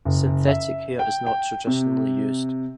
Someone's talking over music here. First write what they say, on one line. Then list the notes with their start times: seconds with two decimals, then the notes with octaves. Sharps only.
Synthetic hair is not traditionally used.
0.05 F#1
0.48 E5
0.99 G5
1.26 G5
1.67 C3